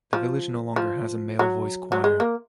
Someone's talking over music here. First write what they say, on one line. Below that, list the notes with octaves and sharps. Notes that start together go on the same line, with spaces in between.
The village no longer has a male voice choir.
F3
F3
F#3
F#3
G#3
A#3